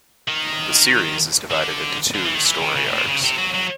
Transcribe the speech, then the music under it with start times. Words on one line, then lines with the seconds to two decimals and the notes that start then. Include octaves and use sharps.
The series is divided into two story arcs.
0.28 D#3
1.51 D3
2.14 D3
2.25 E3
2.35 D#3
2.45 E3
2.61 D#3
2.76 C#3
2.87 C3
2.91 A2
2.97 A#2
3.08 C#3
3.23 C3
3.38 F#3
3.54 F#3